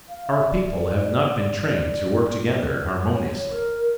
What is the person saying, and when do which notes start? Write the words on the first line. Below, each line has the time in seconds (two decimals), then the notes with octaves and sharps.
Our people have not been trained to work together harmoniously.
0.09 F5
0.29 E5
0.50 D5
0.69 D5
3.11 C#5
3.51 A#4